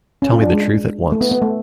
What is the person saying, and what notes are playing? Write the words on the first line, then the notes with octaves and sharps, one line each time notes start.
Tell me the truth at once.
C#4
F4
D4
G#3
A3
B3
B3
A3